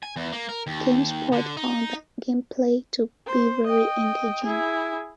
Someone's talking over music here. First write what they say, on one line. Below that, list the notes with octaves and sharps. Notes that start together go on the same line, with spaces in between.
GameSpot found the gameplay to be very engaging.
G#5
E2
A#3
A#4
D#2
D3
D#4
C5
D#5 G5
E4 G#4